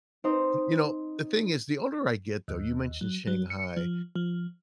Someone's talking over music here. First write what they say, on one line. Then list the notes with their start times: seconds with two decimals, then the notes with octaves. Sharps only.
You know, the thing is the older I get, though, you mentioned Shanghai,
0.24 C4 D#4 C5
2.48 D#2
3.01 F#3
3.27 F#3
3.50 C#7
3.77 F3
4.15 F3